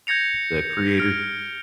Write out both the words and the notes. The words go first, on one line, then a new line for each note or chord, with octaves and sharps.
the creator?
G6 G#6 A#6 C#7 F7
F6 D7